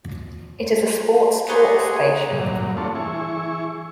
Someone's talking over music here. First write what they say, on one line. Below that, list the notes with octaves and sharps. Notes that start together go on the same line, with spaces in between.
It is a sports talk station.
B3 D#4 G4 G#4 C5 F#5 G#5 C#6
G2 A#2 F#3
A3 C4 D4 F4 A4 C#5
E3 E4 G#4 C#6